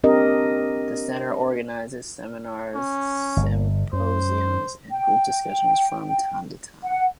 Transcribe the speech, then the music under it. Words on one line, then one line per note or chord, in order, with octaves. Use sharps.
The center organizes seminars, symposiums and group discussions from time to time.
C4 D4 G4 A#4 D#5
C#4
G1
F#2 C5
G5
F#5